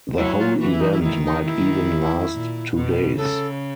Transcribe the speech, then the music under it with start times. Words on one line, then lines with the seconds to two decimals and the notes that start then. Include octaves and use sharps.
The whole event might even last two days.
0.17 F#3 E4
0.39 F4
0.60 E3 F#4
0.71 E4
0.81 D#4
0.92 E4
1.04 D#3 E4
1.24 D#4
1.45 E4
2.32 A#2
2.75 B2
3.17 C#3 A4